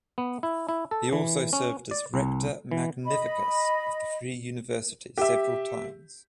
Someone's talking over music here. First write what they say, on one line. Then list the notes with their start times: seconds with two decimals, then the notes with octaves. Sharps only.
He also served as rector magnificus of the Free University several times.
0.18 B3
0.43 E4
0.69 E4
0.91 A4
1.13 E3
1.53 C#4
1.91 D5
2.14 C2
2.71 E3
3.05 D#5 B5
5.18 G4 E5